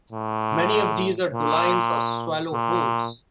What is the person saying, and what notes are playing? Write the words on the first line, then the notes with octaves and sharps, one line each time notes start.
Many of these are dolines or swallow holes.
A2
A#2
A#2